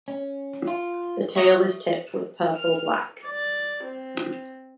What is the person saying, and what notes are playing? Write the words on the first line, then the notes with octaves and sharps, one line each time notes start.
The tail is tipped with purple-black.
C#4
F4
E5 C#6 D#6 A#6
F6
D5
C4